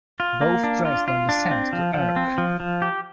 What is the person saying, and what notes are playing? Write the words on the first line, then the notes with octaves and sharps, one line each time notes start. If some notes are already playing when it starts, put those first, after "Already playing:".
Both trace their descent to Ercc.
F4
A#3
D4
F4
F4
D4
C4
F3
F3
C4
F3
F3
G4